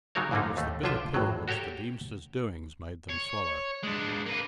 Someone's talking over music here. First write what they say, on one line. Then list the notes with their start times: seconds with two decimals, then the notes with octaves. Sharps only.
It was the bitter pill which the Deemster's doings made them swallow.
0.15 C#3 F#3 G3 D#4 A#4 C#5
0.31 F2 G#2 D3 A3 A#3 D#4
0.57 D#2 A3
0.83 B1 D3 F3 F4 E5 G5
1.14 G#1 A2 F#3
1.48 F#4 G4 A4 C#5 G5
3.10 C#5
3.84 G#3 D4
4.26 A#3 B4